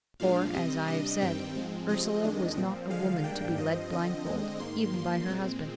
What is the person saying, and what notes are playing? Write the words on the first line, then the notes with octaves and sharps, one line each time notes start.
For, as I have said, Ursula was not a woman to be led blindfold, even by her husband.
A#2 F3 G#3 D4 F5
C3 G3 C4 D#5
C3 G3 D4 D#5
G2 D#3 G3 C4 G5
G#2 F3 G#3 C4
C3 F3 G#3 C4 D#5
F2 D#3 G#3 D4
A#2 F3 C4
D3 F3 G#3 F5
G#2 G3 A#3 D4 G5
G2 F3 C4 D#5
D3 F3 C4 D#5
D3 G#3 C4
G#2 D#3 A#3 C6
G2 F3 A#3
A#2 G#3 C4